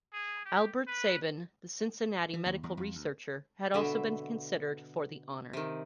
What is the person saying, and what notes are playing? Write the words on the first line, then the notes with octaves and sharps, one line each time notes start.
Albert Sabin, the Cincinnati medical researcher, had also been considered for the honor.
G#4
G4
B4
E3
D#2
E2
F2
D2
B2 D3 E5
C3 D#3